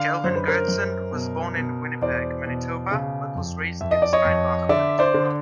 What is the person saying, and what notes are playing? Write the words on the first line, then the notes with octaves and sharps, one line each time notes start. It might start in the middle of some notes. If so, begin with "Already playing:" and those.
Kelvin Goertzen was born in Winnipeg, Manitoba but was raised in Steinbach, Manitoba.
Already playing: D3 F5
F#2 C5
B4
A#4 C5
F#2
B2
B2
E2 C5 D5
B2
C#3
F2
F2 E5
D#5
D5
C#5 D#5
F2
D3 D5 E5
C5 D5
D3